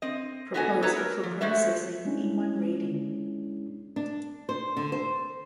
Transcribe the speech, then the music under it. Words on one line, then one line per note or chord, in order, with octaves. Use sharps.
Proposal for processing in one reading.
C4 D#5
B3 D#4 F#4 A4 G#5
A4 B4 C#5 D#5 A5 A#5
A#4
F3
F#3 G#3 A3 F#4 C5 E5
G#3 C#4 D4 E4
D4
C5
D3
C5